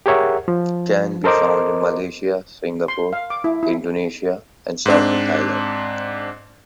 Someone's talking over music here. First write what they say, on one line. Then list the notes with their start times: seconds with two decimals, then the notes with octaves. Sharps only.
It can be found in Malaysia, Singapore, Indonesia and Southern Thailand.
0.06 G4 G#4 A#4 C#5 E5 F#5
0.48 F3
1.24 A4 A#4 C5 D#5 D6
2.88 C6
3.13 F5
3.30 D6
3.44 E4
3.63 E4
4.86 G#2 C4 D4